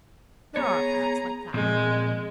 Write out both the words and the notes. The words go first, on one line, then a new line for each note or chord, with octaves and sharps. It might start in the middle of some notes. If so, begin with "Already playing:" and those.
There are parents like that, you know.
B3 G#4 C#5 A#5
A#2 F3 G#3 C4